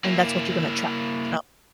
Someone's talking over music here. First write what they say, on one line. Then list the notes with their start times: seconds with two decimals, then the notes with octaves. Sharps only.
and that's what you're gonna attract yourself.
0.04 A#3 E4